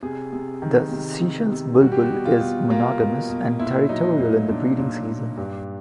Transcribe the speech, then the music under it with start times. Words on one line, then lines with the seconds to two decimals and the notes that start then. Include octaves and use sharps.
The Seychelles bulbul is monogamous and territorial in the breeding season.
0.03 C3 G#4
0.33 C3
0.62 D#3
0.92 C3
1.22 C3
1.52 C3
1.81 G3 F#4
1.92 G4
2.03 F#4
2.11 B2
2.25 F4
2.40 B2
2.70 A#3 F4
3.00 B2
3.29 B2
3.59 A#2 E4
3.89 F#3 D#4
4.19 A#2
4.49 A#2 D4
4.78 A#2
5.08 A#2
5.38 G2